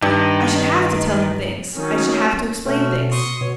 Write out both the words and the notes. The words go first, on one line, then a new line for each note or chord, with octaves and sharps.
I should have to tell him things, I should have to explain things----.
G2 D#3
D#3 F#3 C#4
B2 A3 C#4
C6 C#6 D#6
B2 C#5